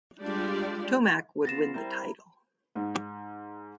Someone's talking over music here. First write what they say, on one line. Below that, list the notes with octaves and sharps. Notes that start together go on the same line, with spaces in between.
Tomac would win the title.
G3 G#3 D4 F4 G4 D5
B3 F4 A6 A#6 E7
G3 C4 E4 A#4 C5
G#2